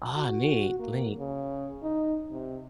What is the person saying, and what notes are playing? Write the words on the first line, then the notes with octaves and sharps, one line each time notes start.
Ah, neat neat.
F#4
A#3
C#3
D#4
C3